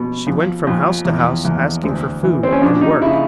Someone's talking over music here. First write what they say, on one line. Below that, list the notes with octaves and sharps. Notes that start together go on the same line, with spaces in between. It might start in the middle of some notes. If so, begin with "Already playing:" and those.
She went from house to house asking for food and work.
Already playing: B2
F2
F2
E2
E2
D2
E3
C4
C#4
F2 D4
D#4
C#3 E4